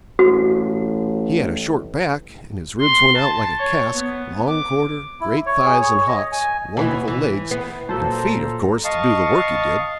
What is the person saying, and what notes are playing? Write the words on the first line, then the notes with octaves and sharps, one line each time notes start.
He had a short back, and his ribs went out like a cask, long quarter, great thighs and hocks, wonderful legs, and feet of course to do the work he did.
A1 F#4
C6
A5
C#5
B3
D6
E4
C#5
G#4
C#5
D#5
G#5
D#2 B2 E3
E3
B3
A#2 F#3 A4 C5 A5 A#5
D#5 F5 A5 C#6